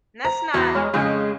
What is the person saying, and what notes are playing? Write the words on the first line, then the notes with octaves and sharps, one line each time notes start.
And that's not
C5 A#5
E2 F#4 A#6
G#3 C#5 C#6 F6
F2 C#3 G#3